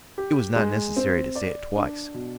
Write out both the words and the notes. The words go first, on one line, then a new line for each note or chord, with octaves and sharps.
It was not necessary to say it twice.
G4
G#3
C4
D5
D4
B2